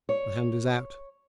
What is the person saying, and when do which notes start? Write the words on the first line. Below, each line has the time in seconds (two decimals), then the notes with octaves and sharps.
The hand is out.
0.09 C#5